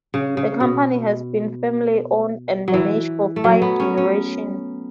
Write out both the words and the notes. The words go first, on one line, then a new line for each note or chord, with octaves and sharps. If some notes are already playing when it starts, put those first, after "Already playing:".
The company has been family-owned and managed for five generations.
C#3
C#3
B2
F#3
E3
A3
F#3
B3
C#4
C#4